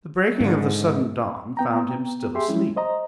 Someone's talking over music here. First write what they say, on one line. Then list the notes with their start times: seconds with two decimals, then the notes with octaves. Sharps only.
The breaking of the sudden dawn found him still asleep.
0.40 G#2 D3
1.57 B3 G5 A#5
2.35 G4 G#4 E5 C6
2.48 F3 G#3 C#4 E4
2.77 C5 D#5 A#5